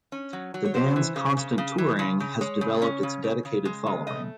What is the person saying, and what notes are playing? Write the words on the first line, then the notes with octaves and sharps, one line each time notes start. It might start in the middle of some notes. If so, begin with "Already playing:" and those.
The band's constant touring has developed its dedicated following.
C#4
F#3
F#3
C#5
C4 C5
E3
C#3
C#3
C#3
E3
C#3
C#3
G#3 C#5
C#3
C#4
C#3
C#3
C#3
G#3
C#3
A3 D#5